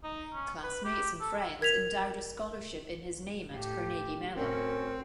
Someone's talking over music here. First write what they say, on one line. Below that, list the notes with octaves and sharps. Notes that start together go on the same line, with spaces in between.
Classmates and friends endowed a scholarship in his name at Carnegie Mellon.
D#4
C#4
B4
G4
A4
A#4 G#6 B6 F7
A2 G4
A2 C4 C#4 F#4 A#4